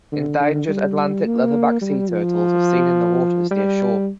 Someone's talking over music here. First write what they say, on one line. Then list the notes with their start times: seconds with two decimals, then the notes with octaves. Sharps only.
Endangered Atlantic leatherback sea turtles are seen in the waters near shore.
0.12 D3
0.40 D3
0.68 G3
1.25 A#3
1.81 G3
2.09 F3
3.51 G3